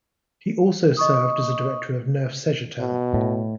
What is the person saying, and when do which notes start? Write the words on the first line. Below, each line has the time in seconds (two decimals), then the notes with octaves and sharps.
He also served as a director of Neuf Cegetel.
0.97 D#5 C#6 D#6
2.80 B2
3.14 A2